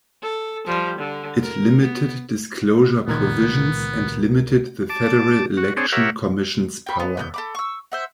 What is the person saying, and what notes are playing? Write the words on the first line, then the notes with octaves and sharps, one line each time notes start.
It limited disclosure provisions and limited the Federal Election Commission's power.
A4
F3 G3
D3
A#4
B3
C#2 A#2 D#3 B3 A#4 G#6
A5 D6
F#4
C4 D4 G#4 C#5
G4 A#4 C#5 E5 F#5
G5 B5
B3
B3 G#5 G6
A4 B5 D6
C#6 E6
C5 E5 F#5